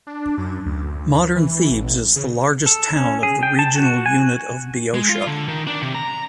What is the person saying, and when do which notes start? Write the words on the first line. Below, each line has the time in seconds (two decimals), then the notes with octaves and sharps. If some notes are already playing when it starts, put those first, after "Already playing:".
Modern Thebes is the largest town of the regional unit of Boeotia.
0.07 D4
0.38 F#2
0.65 D2
1.36 E3
1.71 A1
2.16 C#3
2.66 A4
2.96 C#4
3.23 G#4
3.43 G5
3.59 A5
3.76 F#4
4.06 G#5
4.19 F#4
4.94 G#3
5.09 F4
5.27 D3
5.48 D#3
5.67 D4
5.82 C3
5.95 A#5